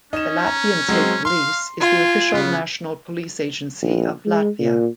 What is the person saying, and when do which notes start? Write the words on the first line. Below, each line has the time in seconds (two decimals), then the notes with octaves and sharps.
The Latvian State Police is the official national police agency of Latvia.
0.13 C#4 D#4 E7
0.46 A#5
0.88 F#3 G#3 C4
1.25 F5 C6
1.81 F4 G#5
2.34 C#3 B3
3.82 A#1
4.25 G#3
4.59 A#2